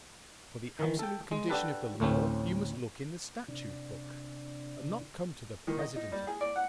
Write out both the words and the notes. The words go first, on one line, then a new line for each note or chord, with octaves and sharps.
"For the absolute condition of the law you must look in the statute-book, and not come to the President of the empire."
D#3 E3
A4 G5
G#3
D4 F#4 G4 A4 B4
D2 A2 A3 C4 C#4
C3 D4
D#3
D#5
D#4
G3
G#4
D5
F#5